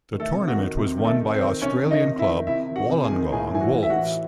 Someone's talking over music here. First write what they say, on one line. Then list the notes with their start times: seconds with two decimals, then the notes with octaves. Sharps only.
The tournament was won by Australian club Wollongong Wolves.
0.12 D#3
0.20 A3 A4
0.34 C3
0.48 F#4
0.56 D#3
0.77 C3
0.98 D#3
1.05 A3 A4
1.19 C3
1.34 C4 C5
1.41 D#3
1.62 C3 C#4 C#5
1.83 D#3
1.91 D#4 D#5
2.04 C3
2.19 E4 E5
2.26 D#3
2.47 C3 E4 E5
2.69 D#3
2.76 F#4 F#5
2.90 C3
3.04 G#4 G#5
3.11 D#3
3.32 A2 G#4 G#5
3.54 E3 G#5
3.61 F#4 F#5
3.75 A2
3.83 E5
3.90 F#4 F#5
3.96 E3